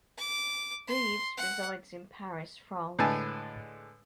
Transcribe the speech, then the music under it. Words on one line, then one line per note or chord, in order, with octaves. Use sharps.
Reeves resides in Paris, France.
D6
C6
F#5
A2 D3 G#3 B4 G#5 A5